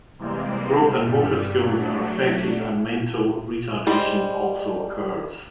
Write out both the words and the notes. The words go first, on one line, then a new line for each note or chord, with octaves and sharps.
Growth and motor skills are affected, and mental retardation also occurs.
C3 E3 G3 G#3 A#3 C4
G2 G3
F#3 A3 D4
G3 G#3 C5